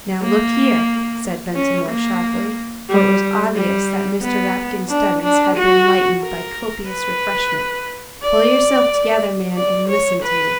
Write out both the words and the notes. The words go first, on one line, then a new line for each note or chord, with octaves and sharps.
"Now, look here," said Ventimore, sharply--for it was obvious that Mr. Rapkin's studies had been lightened by copious refreshment--"pull yourself together, man, and listen to me."
A#3
C#4
A#3
G3
G3
B3
D4
D4
F#4
A#4
B4
D5
D5
C#5
B4